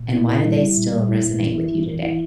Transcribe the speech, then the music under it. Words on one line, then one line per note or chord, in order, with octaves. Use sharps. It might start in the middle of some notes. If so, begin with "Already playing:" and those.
and why do they still resonate with you today?
Already playing: A#2
E4
G3
A#2
E4
E3
E3
E4